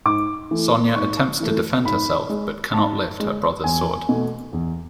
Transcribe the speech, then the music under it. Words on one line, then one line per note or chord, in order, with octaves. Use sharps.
Sonja attempts to defend herself, but can not lift her brother's sword.
G#2 D6
E3 A3
G#2 C#6
E3 A3
G#2 B5
G#3
G#2 A5
G#3
E2 G#5
B2 A3
E2